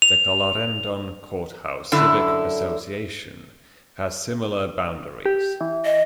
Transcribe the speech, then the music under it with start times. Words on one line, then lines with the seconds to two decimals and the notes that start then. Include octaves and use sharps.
The Clarendon-Courthouse Civic Association has similar boundaries.
0.02 F7
1.92 F#2 D3 E4
5.26 G4
5.61 E3
5.85 D#5